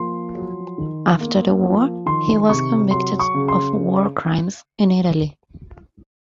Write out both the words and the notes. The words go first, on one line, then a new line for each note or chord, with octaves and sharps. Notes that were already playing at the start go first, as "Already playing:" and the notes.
After the war, he was convicted of war crimes in Italy.
Already playing: F3 A#3 C6
F#3
D#3
A#3
F3
D#3 C6
C3 C#6
F#3 C6
C#6
C#3
C6